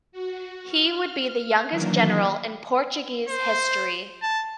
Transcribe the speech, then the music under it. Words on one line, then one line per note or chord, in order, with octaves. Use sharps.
He would be the youngest general in Portuguese history.
F#4
F6
D#3 E3 F#3 A#3 D4
C5
A5